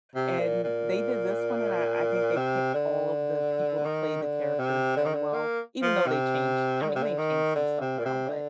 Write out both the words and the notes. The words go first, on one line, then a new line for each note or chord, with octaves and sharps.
and they did this one and I I think they picked all of the people to play the characters very well, even though they changed, I mean they changed some stuff around, but
C3
A#2
A#2
C3
D3
D#3
D3
C3
D3
D#3
D3
A#3
F3
C3
D#3
D3
C3
D3
D#3
D3
C3
A#2
C3
D3